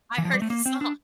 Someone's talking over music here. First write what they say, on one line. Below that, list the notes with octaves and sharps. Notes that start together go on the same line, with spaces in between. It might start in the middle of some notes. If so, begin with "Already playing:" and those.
I heard the song.
E3
F3
G3
A3
A#3
C4
D4